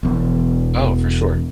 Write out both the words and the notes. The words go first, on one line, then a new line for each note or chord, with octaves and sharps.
Oh, for sure.
E1 E2